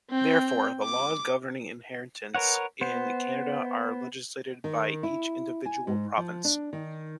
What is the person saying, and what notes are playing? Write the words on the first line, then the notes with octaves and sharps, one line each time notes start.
Therefore, the laws governing inheritance in Canada are legislated by each individual province.
C4 G5
D6
A#4 B4 C#5 F#5
B3 C5
D#3
E4
G#5
G#2
F3
D4
D#3